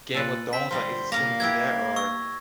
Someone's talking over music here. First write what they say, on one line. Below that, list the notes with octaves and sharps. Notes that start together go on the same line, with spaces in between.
Game of Thrones, like, is it similar to that? or
A#2 A4 B4
C4 B6
D3 G3 A#3 C5
A#2 A#3 F5 A#5 A#6
B3 E4 G4 G#6
C#6 E6